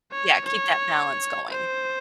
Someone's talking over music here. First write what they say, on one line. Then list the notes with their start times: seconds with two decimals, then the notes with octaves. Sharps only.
yeah, keep that balance going,
0.12 C#5
0.46 C#5
1.51 C5